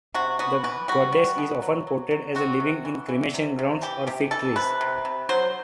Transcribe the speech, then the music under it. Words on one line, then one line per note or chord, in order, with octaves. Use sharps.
The goddess is often portrayed as living in cremation grounds or fig trees.
C3 F#4
B3 F#4
E3 B4
G3 F#4
G3
B2
F#3
F#3
F#3
C4 F#4
C3
E3
E3
C3
C3
E3 G4
C3 G4
E3 A4
C3 B4
C3
C3
F#3 C5